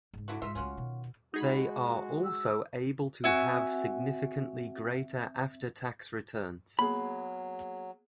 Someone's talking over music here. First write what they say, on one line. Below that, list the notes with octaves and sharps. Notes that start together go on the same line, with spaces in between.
They are also able to have significantly greater after-tax returns.
G#2 C#3
D3 E4 F#4
G#2 D#4 F4 E5
C#2 A3 C#4 F4 F#4
B2 D#3
G#3 D#4 F#4 G#4 B5
E6
C4 F#4 E5 G#5 E6
F#3 A#3 B3 G#4 B5